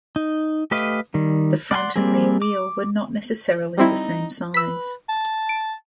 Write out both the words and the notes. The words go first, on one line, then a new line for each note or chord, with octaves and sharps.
The front and rear wheel were not necessarily the same size.
D#4
A3 G4 B4 D#5 F5
D#3 G3
D5 F#5 G#5 C6
G3 A#3 C4 G#4
D6
G3 C4 D#4 E4
B4 E6 B6
A5
D7